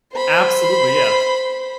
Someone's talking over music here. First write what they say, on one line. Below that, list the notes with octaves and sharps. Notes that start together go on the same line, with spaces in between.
Absolutely, yeah.
C5 B5